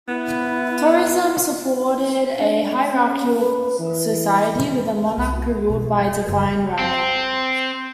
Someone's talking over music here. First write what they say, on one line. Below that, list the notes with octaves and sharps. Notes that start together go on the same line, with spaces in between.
Toryism supported a hierarchical society with a monarch who ruled by divine right.
B3 E4
D4
C#4
B4
E3
D#3 E3
C2
B2 E3
F#1 E2
C4